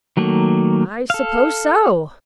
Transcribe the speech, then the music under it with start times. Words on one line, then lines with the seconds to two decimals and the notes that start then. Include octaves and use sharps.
'I suppose so.
0.17 D#3 F#3 A3 A#3
1.10 A4 F5